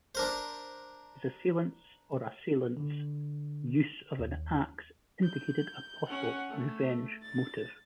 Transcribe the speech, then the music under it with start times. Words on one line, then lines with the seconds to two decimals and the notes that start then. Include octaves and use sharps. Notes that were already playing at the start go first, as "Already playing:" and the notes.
His assailant's or assailants' use of an axe indicated a possible revenge motive.
0.15 D4 A#4 C5
2.77 D3
4.19 D#2
5.23 G6
6.08 C#4 F#5
6.49 A3
7.22 A6